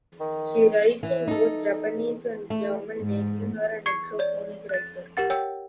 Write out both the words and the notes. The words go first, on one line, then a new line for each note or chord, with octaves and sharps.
She writes in both Japanese and German, making her an exophonic writer.
D#3
E3
D#4 A4
A3
G#2
C#6 G#6 C7 C#7
C#5 D5
F#6 A6
G4 A#4 F#5 A6
C#5 G5 E6